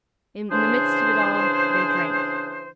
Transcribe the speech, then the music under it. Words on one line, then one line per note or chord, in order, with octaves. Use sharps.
In the midst of it all, they drank.
C#3 E3 D4 G#4 C5